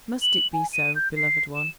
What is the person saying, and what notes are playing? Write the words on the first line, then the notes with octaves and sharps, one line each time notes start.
Must it be so, beloved one?
F#7
G#5
D#7
G6
C7
E7